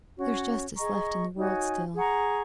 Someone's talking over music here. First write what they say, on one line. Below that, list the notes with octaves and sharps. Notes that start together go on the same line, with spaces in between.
There's justice left in the world still.
C#4 F#4 C#5
G#4 D#5 A#5 C#6
D#4 F#4 C#5 G#5
G#4 F#5 A#5 C#6